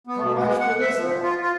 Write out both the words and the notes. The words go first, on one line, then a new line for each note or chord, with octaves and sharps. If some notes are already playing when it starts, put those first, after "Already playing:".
How much for this lot?
B3
B2
G#3
F#5
E5
F3
F4
F4